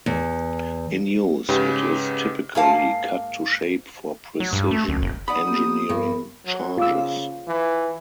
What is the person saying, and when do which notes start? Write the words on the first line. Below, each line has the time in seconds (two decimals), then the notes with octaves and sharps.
In use, it is typically cut to shape for precision engineering charges.
0.06 E2
1.49 G#2 C#3 G4 B4
2.55 G#2 A#3 F5 A5
4.40 F#3
4.53 G2
4.71 A3
4.89 D2
5.02 F#1
5.28 D#4 D5 F#5 B5 D#6
5.47 A#3 B3 G4
5.89 G2 B3 A#4 B5
6.46 F#3
6.77 C#3 F4 D6 E6
7.48 E3